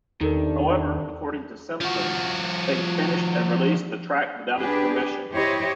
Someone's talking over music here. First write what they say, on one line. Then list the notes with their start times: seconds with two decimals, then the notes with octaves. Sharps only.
However, according to Simpson, they had finished and released the track without his permission.
0.21 E2 G2 C3 D#3 D4 D#4 A4 A#4
1.80 F3 F#4
4.58 D4 G4 G#4 B4
5.32 E4 G4 C5 C#5 D#5